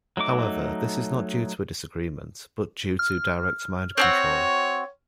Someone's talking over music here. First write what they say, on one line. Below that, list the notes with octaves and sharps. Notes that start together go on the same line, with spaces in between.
However, this is not due to a disagreement, but due to direct mind control.
F#3 A3 D#4 D6
F6
C4 D4 F#4 C#5